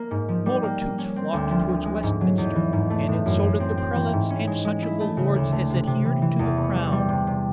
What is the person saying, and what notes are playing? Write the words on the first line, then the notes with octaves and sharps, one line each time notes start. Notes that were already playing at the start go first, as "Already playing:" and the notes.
Multitudes flocked towards Westminster, and insulted the prelates and such of the lords as adhered to the crown.
Already playing: A#3
G#2
F3
G3
A#3
A#3
C#4
C4
D2
F3
F3
G#3
G#2
F#3
E2
E3
G#2
A3
A2
F#2
F#2
C4
C4
E3
G#2
C#4
G#3
G#3
E4
A3
C#3
D2
A3
C3
C3
E3
E3
E2
B3
G3
G3
C3
C3